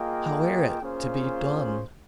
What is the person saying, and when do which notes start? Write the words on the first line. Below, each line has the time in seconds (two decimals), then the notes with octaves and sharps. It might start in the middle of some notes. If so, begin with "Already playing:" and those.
How air it to be done?
Already playing: A#3 F4 G#4 D#5 G5
0.82 A#3 C#4 F4 G#4 C5